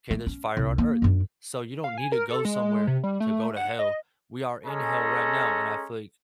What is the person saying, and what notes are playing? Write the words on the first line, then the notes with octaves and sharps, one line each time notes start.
'Kay, there's fire on earth, so, you don't need to go somewhere to go to hell. We are in hell right now and I feel like
A3
C#4
C2
A#3
F#2 D4
F5
G#5
A#4
A4
G#3
C3
G3
A3
F#5
D#5
G#3 C#4 G#4 A4 A#5